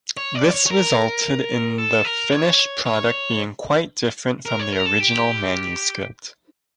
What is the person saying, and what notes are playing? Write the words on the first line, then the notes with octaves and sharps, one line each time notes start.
This resulted in the finished product being quite different from the original manuscript.
C#5
D5
C#5
C#5
A#4
A4
A#4
C#5
C#5
A#4
C#5
A#4
A4
G4